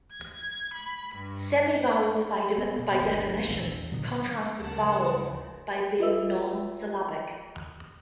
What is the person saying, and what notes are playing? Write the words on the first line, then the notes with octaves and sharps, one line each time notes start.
Semivowels, by definition, contrast with vowels by being non-syllabic.
G#6
B5
G2
B3 C4
B2 A#3 B3
G1 D2
A#1 E2 C3
A#2 D3 F#3 B3
D2 G2 C#3 A#4 F#5 A5
F4 A4 B4 D#5 E5 E6